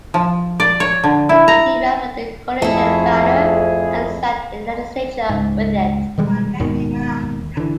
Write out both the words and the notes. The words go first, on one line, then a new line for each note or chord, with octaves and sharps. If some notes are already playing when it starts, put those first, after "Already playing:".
He ran with the Coalition banner and sat in the legislature with it.
F3
D5
C#5
D3
E4
A#5
F2 A3 E4 G#4
C#2 G#2
B2 D#3 G3 G#3
D#2 G#2 B2 D#3
D3 E3